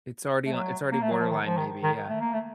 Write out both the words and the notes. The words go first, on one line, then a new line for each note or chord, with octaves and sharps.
It's already on it's already borderline, maybe, yeah.
A3
F#3
A#3
A3
F#3
F3
D#3
F3
D#3
D#3
A3
A#3
A3